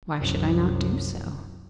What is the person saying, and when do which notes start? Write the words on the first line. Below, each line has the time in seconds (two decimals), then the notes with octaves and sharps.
"Why should I not do so?"
0.17 C2 F#2